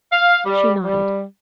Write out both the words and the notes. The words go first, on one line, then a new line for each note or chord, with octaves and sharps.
She nodded.
F5
G3
G3